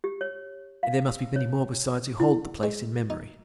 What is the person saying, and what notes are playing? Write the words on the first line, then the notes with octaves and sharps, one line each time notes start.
And there must be many more besides who hold the place in memory.
G4
C#5
F5
C#5
E4
G#3
D#4